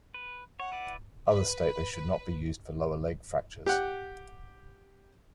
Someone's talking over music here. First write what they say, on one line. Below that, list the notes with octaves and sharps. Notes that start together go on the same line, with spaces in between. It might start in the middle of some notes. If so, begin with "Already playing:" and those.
Others state they should not be used for lower leg fractures.
B4
C#5 F#5
E4 B4 D5
B4
G4 F#5